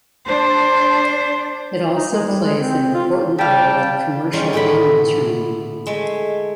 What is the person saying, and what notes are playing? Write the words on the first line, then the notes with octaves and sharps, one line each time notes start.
It also plays an important role in commercial animal training.
D4 C5
D#4
G#3
G3
G#3
C4
F4
G3 G4 F5 G5 A5
E2 G3 G#3 C#4 D#4 F4
A2 D3 A3 B3 B5
G#3 A3